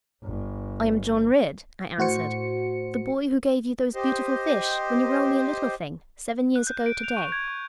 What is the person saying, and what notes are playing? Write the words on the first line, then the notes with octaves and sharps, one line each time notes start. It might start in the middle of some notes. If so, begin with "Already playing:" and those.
'I am John Ridd,' I answered; 'the boy who gave you those beautiful fish, when you were only a little thing, seven years ago to-day.'
G1
A2 F#4 C5 C#7
G4 C5 D#5
F#6
G6
D7
F7
C#6
G#6
C#6